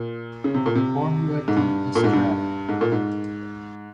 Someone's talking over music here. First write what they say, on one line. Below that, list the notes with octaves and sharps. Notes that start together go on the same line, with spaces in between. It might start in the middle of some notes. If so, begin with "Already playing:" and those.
Formula D Australia.
Already playing: A#2
C#3
C3
A#2
C3
G#2
G2
A#2
G#2
G2
G#2
A#2
G#2